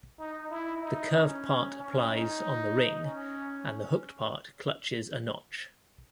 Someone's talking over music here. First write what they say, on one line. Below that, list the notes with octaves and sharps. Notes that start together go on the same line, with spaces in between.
The curved part applies on the ring, and the hooked part clutches a notch.
D#4
E4
D#4
C#4
C#4
D#4
C#4